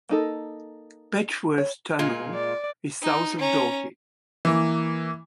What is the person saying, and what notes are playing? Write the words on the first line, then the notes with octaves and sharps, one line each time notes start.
Betchworth Tunnel is south of Dorking.
A#3 D#4 A4
C#5
A#2 G#3 F4
D5
D#4
C#4 A#5
E3 A#3